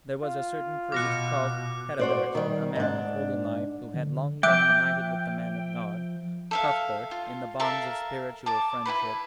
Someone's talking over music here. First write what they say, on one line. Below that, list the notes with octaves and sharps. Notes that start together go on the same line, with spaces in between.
There was a certain priest, called Herebert, a man of holy life, who had long been united with the man of God, Cuthbert, in the bonds of spiritual friendship.
F4
B2 D6 F6 F#6 A#6 C#7
F#4 C5 D5
D#3 G3
G#2 D4
D3
F3 E5 G5 D6 F#6 D7
A4 E5 F5
F4
A4 A#4 E5 F5
A5 D6
E4 F4 B4 B5